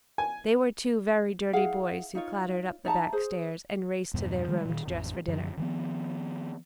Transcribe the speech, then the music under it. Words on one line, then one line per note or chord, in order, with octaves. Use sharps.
They were two very dirty boys who clattered up the back stairs, and raced to their room to dress for dinner.
G#5
E4 G#4 F5 F#5
D#4 F4 C#5
D#4 E5 A5 A#5
G#4 C5
E2 G2 B2
D#3 G3 G#3
A#2 D#3
A1 F2 A#2
F#2 D3 F3
D#3 F3 B3